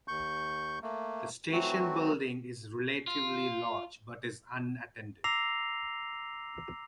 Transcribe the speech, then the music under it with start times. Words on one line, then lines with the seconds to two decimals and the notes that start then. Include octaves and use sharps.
The station building is relatively large, but is unattended.
0.08 D#2 C#6 G6
0.82 A3 A#3
1.52 E3 F#3 A3 C4 F#4
3.07 F4
5.24 A#5 D6 E6 A#6 C7 F7